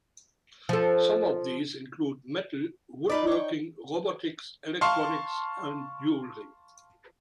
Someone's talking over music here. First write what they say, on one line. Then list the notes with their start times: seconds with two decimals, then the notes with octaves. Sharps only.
Some of these include Metal, Woodworking, Robotics, Electronics and Jewelry.
0.69 F3 A4
3.10 D#4 F4 B4 D5
3.27 C#5 G5
4.81 F5 A5 C6 C#6